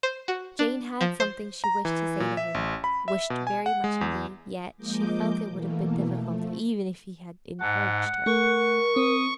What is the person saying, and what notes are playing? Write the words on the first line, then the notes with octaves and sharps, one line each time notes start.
Jane had something she wished to say to him--wished very much indeed, yet she felt it would have been difficult even if he had encouraged her.
C5
F#4
D4
F3
C5
A#5
E3
A#2
E5
A1
B5
E5
B2
G#5
F#5
G#3
E2
F3 G#3 A#3 D#5 D6 G6
B2 E3 A3 A#3
F3 A3
G#2 F#5 A5
A3 A#4 C#6
C4 D#6